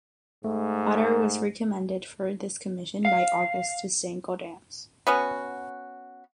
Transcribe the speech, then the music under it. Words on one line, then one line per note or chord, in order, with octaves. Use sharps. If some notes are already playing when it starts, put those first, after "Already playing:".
Potter was recommended for this commission by Augustus Saint-Gaudens.
G#2 A3
F5
B3 C#4 F#4